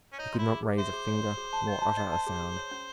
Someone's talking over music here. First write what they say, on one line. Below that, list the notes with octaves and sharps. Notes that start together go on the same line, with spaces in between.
He could not raise a finger nor utter a sound.
C#4
D#4 C#5
E4 C6
G#4
G#4
C5 E5
G#4
C#5
C6
G#4
A5
D#5
A5
D#5
A5
G#4
G#4
C#5
C#4